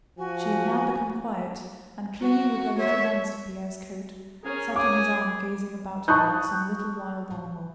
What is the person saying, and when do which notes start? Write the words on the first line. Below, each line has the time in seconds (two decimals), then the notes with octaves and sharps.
She had now become quiet and, clinging with her little hands to Pierre's coat, sat on his arm gazing about her like some little wild animal.
0.18 F3 F#4 G#5
2.21 F#4
2.78 C#5 E5
4.44 C#4 G#4 A#4
4.76 G#4 D6
6.08 A5 C#6 D#6 F#6 G6